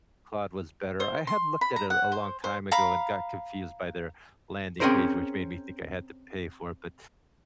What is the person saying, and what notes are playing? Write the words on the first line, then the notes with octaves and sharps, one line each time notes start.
Claude was better, I had looked at it a long time ago and got confused by their landing page, which made me think I had to pay for it, but
C5
C6
B5
A#5
F#5
C5
C5
F5 A#5 B5
C4 C#4 G#4 A#4 C5